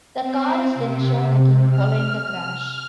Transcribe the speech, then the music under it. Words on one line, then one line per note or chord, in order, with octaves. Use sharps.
The car is then shown again following the crash.
C4
C3
F6
F6